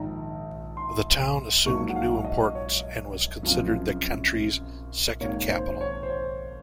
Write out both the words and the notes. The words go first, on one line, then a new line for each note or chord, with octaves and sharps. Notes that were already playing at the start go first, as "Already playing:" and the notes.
The town assumed new importance and was considered the country's second capital.
Already playing: A#1 G#2 D#3 A#5
C6
A#1 G#2 F#3 A#3 C#6
F#5
F5
D#5
C#5
F#2 C#3 F3 C4
G#1 G#2 D#3 A#3 C#5
C5
C#5
C5
C#5